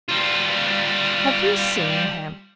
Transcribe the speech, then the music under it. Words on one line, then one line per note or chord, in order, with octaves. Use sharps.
Have you seen him?
G3 F4